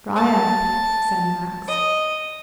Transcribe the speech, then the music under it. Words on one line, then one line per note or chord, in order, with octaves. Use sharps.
"Dry up," said Max.
A5
D#5